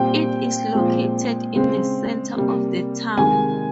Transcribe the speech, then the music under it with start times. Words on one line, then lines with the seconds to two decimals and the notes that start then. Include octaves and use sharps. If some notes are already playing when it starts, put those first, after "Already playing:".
It is located in the center of the town.
Already playing: A#2 G3 C4 G5
0.74 A#2 F3 G#3 C4
1.54 C#3 G#3 C4
2.36 C3 G3 A#3
3.17 C3 D#3 G#3 G#5